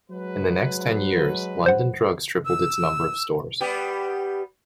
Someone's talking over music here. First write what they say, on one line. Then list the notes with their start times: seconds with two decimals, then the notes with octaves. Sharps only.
In the next ten years, London Drugs tripled its number of stores.
0.11 F#3 G#3 B4
1.66 C5 F#5
2.45 E6
3.61 G3 B3 G4